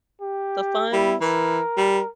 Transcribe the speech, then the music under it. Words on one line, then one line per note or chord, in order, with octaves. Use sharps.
the funds,
G4
G3 E4
E3 A#4
G3